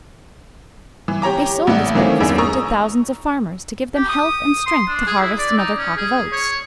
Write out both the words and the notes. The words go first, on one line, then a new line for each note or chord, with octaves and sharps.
They sold this breakfast food to thousands of farmers, to give them health and strength to harvest another crop of oats.
E3
G4 C#5 A#5 D6
A1 A2 D5 F#5 D6
D#3 E3 A3 C4 C#4 F4
G1 E2 G#4 E6 D7
A#5 C#6 D#6 E6
G4
D#6
C6
D4
G#4
E4
D5
D#4
C#4
G#4
C#5